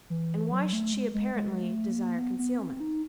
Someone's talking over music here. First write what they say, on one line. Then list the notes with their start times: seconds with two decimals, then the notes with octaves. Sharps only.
And why should she apparently desire concealment?
0.10 E3
0.52 F#3
0.73 A3
0.93 G#3
1.14 G#3
1.35 G#3
1.62 A3
1.90 A#3
2.18 B3
2.39 B3
2.59 C4
2.80 D#4